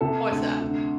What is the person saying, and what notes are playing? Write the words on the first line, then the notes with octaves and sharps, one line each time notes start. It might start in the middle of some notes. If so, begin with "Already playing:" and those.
What was that?
C3 A4
D2
D3